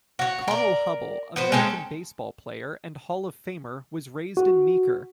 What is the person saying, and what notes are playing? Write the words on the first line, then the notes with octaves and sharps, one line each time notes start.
Carl Hubbell, American baseball player and Hall of Famer was raised in Meeker.
F#4 C#5
A#4 D5
B3 B4 C5
G#3 C4 C#4 A4
F#4